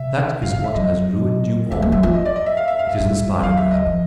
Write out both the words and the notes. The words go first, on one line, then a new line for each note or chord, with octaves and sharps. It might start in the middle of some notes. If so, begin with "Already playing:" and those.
That is what has ruined you all--it is the spider crab!
Already playing: C3 E5
C#3 F5
D3 F5
E5
F#3 D#5
G#3 E5
A#3
F#3 E5
F3
D#5
D5
D#5
E5
F5
E5
F5
E5
G3
F#3 F5
E5
D#5
F3